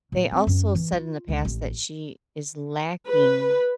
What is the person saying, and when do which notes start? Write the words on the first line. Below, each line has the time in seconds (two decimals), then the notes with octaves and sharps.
they also said in the past that she is lacking
0.12 A2
0.31 C4
0.47 F#2
0.75 E3
0.92 F4
1.28 C#2
1.45 A1
3.07 B4